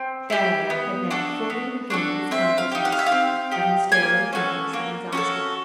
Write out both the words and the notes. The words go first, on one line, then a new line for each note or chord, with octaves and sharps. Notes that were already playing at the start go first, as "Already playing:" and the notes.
Faria had now fully regained his consciousness, but he still lay helpless and exhausted.
Already playing: C4
E4 G4
B3
D4 F#4 A4
B3
D4 F#4 A4
C4 E5
F5
D#4 G4
F#5
F5
E5
F5
C4
D#4 G4
A#3 G#5
C#4 F#4 A4
A#3
C#4 F#4 A4